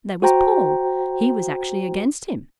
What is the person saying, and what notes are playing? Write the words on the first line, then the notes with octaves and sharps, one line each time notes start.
There was Paul; he was actually against Him.
F#4 C5 G5 A#5